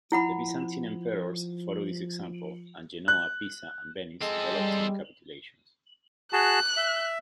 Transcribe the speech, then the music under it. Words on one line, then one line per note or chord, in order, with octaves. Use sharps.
The Byzantine Emperors followed this example, and Genoa, Pisa and Venice all obtained capitulations.
F3 E4 F#5 B5
F#6
G#3 C4 A4
G3
F#4 G#4 A5 F#6
E5